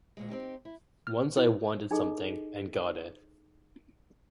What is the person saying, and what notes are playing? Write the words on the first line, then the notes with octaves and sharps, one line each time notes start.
Once I wanted something and got it.
D2 A#2 G#3
C4 C#4 D#4 G4
E4
F6
E4
D#4 E4 G#4 A4 D#5